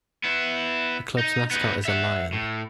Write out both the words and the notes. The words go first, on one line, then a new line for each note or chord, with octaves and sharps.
The club's mascot is a lion.
B3 E4
D#4
B3 D#4
E5 F#5
A2